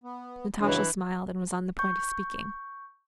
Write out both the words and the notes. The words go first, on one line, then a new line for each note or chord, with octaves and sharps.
Natasha smiled and was on the point of speaking.
B3
G2 C#3 E3 F#3 D4 D#5
C#6 G6